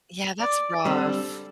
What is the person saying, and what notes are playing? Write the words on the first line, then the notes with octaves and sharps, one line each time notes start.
Yeah, that's rough.
D5
D3 G3 C4 A4